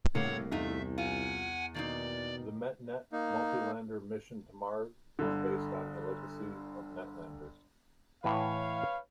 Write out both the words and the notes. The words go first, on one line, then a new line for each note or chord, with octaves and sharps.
The MetNet multi-lander mission to Mars is based on the legacy of NetLander.
C2 A2 C#3 A#3 C#5 F#5
E2 A3 D#4 F4 E5
F4 F#5 G#5
B2 D#3 A#3 D#4 D5
A#3 D#4
G1 D3
A2 E3 B4 C#5 F5